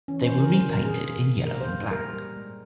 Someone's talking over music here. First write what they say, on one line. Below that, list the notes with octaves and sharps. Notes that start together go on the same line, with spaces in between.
They were repainted in yellow and black.
E3 C#4
C5
E3
A#4
G#3 C5
A#4
A#2
G#4
A#3
A#2
A#3 A#4
C5
A#3
G3 A#4
G3
G#3